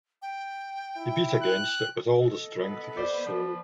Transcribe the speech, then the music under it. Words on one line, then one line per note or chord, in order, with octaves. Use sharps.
He beat against it with all the strength of his soul.
G5
E4
F#6
A4 D#5
B3 B4
C5 D5
F3